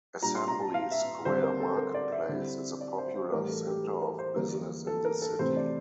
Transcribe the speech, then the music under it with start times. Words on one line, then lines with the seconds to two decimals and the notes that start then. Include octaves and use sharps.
Assembly Square Marketplace is a popular center of business in the city.
0.22 A#2 G3 D4 A#5
0.35 C6
0.48 A#5
0.61 A5
0.74 F5
0.91 E5
1.25 D3 G3 C4 C5
1.43 A#4
1.60 A4
1.77 A#4
1.95 D5
2.12 E5
2.29 D3 G3 C4 E4
2.81 D5
2.98 C5
3.15 C5
3.32 A2 E3 G3 A#4
3.49 A4
3.67 G4
3.84 A4
4.02 A#4
4.19 C5
4.36 E2 D3 G3 A#3 A#4
4.87 A4
5.05 A#4
5.22 A4
5.39 C3 E3 A3 C4 C5
5.57 D5